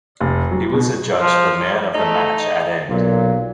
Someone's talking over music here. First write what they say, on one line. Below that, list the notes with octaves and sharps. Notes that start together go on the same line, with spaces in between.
He was adjudged the man of the match at end.
F1
F#3
B2
F3
A3 D#4
B1 A#2 F#3